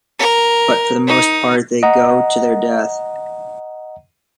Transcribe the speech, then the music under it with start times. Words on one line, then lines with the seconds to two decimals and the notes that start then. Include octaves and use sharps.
But for the most part they go to their death.
0.19 A#4
1.08 D#4
1.83 D#5 F#5 A#5